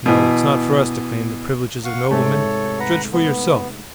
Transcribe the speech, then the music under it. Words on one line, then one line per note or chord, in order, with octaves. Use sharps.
No, it's not for us to claim the privileges of noblemen. Judge for yourself.
B2 E3
F5 F#5 C#6
G#2 C3 A3 A4 C#5
B4 F#5 A#5
B3